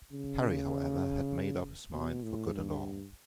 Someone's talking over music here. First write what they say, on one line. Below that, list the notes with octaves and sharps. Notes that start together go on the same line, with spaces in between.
Harry, however, had made up his mind for good and all.
C#3
B2
A2
G2